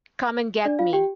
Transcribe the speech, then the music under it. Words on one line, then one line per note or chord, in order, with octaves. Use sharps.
Come and get me!
D4 D5
F4 F5
G4 G5